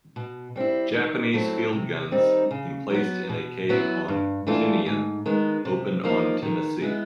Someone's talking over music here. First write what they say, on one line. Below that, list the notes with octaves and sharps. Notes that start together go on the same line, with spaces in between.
Japanese field guns, emplaced in a cave on Tinian, opened on "Tennessee".
B2
G3 C4 E4
D#3
F#3 A3 C4 E4
C3
D#3 G3 C4 D#4
C#3
F#3 B3
B2
F#3 B3 E4
G2
E3 A3 D4 F4
G#2
D#3 G#3 B3
C3
F3 A#3 D#4
D#3
G#3 B3 E4